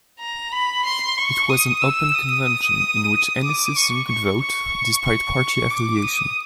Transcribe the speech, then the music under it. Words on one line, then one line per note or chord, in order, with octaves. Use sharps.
It was an open convention in which any citizen could vote, despite party affiliation.
A#5
B5
C6
C#6
D#6
E6
D#6
D6
C#6
C#6
C#6
C#6
D6
D#6